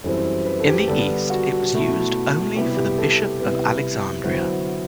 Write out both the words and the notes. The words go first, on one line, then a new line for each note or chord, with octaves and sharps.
In the East it was used only for the Bishop of Alexandria.
F#2 E3 G3 C4 A4
C5
B4
A4
G4
D3 G3 B3 D4 A4
F#4
B2 A3 E4
C3 G3 B3 E4 G4
G4
A4
C3 G3 B3 E4 B4
D3 F#3 B3 E4 C5